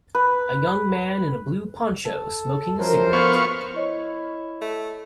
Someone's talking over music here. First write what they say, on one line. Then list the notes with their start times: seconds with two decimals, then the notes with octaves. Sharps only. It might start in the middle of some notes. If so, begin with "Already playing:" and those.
A young man in a blue poncho smoking a cigarette.
0.15 B4
2.05 A4
2.79 F#2 F3 A#4 C5
3.13 D2 B3 F5 C#6
3.75 E4 C#5 D#5 C#6
4.61 A3